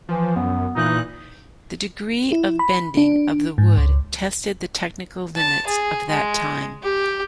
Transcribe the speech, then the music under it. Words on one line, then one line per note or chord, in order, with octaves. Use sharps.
The degree of bending of the wood tested the technical limits of that time.
E3 F3
F#2 B3
A#2 E3 D#4 F#6
E4
B5
D4
G#2
C#2
A5
G#4
G#3
G4